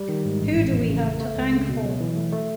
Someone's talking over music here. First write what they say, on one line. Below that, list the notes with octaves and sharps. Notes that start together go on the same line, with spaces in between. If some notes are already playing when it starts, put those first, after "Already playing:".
Who do we have to thank for?
Already playing: G3
D#3
G#2
A1
A1
F2
C#3
A3
A3
C#2
C#3
B2
F#3
E3
A3
A3